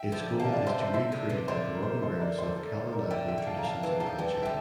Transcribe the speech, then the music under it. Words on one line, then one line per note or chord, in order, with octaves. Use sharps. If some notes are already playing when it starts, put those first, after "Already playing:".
Its goal is to recreate and promote awareness of Kalinago traditions and culture.
Already playing: E5 G5
D3 F3
D3 F5 A5
D5 F5
C3 C5 E5
C5 E5
C3 C5 E5
D3
C3 E3
D3 A4 C5
A#4
C5
A#4
A4 C5
E5
A#4 D5
A4 C5
A4
A#4
D3 E5 G5
E5 G5
D3
F5 A5
A#5
D3 F5 A5
C3 E3
D3 F3 F5 A5
E3 G3 G5
A5
D3 E5 G5